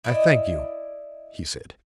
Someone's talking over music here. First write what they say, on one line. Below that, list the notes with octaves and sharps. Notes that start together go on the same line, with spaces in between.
"I thank you," he said.
E4 D5 D#5